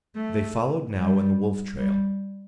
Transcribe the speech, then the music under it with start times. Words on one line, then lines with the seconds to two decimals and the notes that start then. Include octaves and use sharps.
They followed now in the wolf trail.
0.16 A3
0.97 G3
1.78 G3